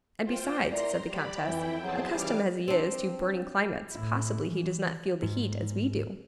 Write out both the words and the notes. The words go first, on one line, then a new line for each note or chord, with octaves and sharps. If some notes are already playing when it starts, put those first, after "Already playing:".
"And besides," said the countess, "accustomed as he is to burning climates, possibly he does not feel the heat as we do."
F4 C5 G5
E4 A#4 D5 A#5 C6
G3 D5 B5
F2 E3 E4 G5
E2 F#3 G#4 C5 A5
C#3 E3 G3 D6 F6
C4 D4
A2 E4
E3
G#2